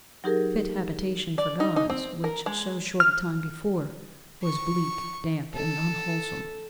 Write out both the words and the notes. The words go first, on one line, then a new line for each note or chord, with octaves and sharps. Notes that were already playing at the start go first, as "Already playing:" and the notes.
Fit habitation for gods, which, so short a time before, was bleak, damp, and unwholesome.
F#3 D#4 G4 G#4 A#4
D5
D#4
D#4
C4
A#4
G#3
F6
C#6
A4